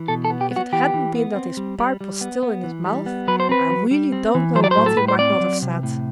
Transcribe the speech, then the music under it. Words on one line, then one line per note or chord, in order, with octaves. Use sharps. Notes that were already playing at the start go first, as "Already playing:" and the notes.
If it hadn't been that his pipe was still in his mouth, I really don't know what he might not have said!
Already playing: E3
B2 A4
A4
B3
G4
B3
F#4
E3 G4
E3
B3
C4
G3
G3
G3
B3
B3
E3
G3
B3
F#3 B4
C5
C4 B4
F#3
G3
C4
E3
F#3 C5
D5
C5
A2
A4
A2 B4
C5
C4 D5
F#3
C3
A2